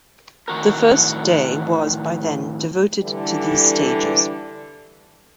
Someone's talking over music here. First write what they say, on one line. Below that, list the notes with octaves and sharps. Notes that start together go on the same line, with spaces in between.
The first day was, by then, devoted to these stages.
A2 D#3 F#4 A#4
D3 E3 G3